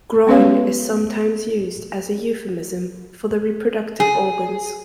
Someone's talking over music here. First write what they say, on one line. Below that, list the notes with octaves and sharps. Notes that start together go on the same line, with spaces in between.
'Groin' is sometimes used as a euphemism for the reproductive organs.
G#3 B3 C#4 B4 C#5 F5
G#4